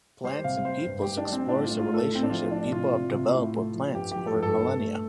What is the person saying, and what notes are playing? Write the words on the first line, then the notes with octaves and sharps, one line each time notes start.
Plants and Peoples explores the relationship people have developed with plants over millennia.
G3 C5
C3 F5
G3 C5
G2
G3 G4
D4
G3
C4
A2 D4
F4
A3
F4
A2
A4
A2
C4
D4
F3 F4
A2 D4
C3 F4
C3
C3
A2
A3
F3
G2 G4
F3 G4
A4
G2
A4
G2
A3